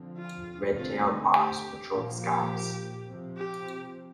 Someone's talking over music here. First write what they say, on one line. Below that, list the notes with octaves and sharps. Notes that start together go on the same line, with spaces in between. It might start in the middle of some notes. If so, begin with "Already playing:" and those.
Red-tailed hawks patrol the skies.
Already playing: D3 F3 C4
F4
D3 A3 C4 F4
D#4
G4
A#2 F3 A#3
G4
C3 F3 C4
G4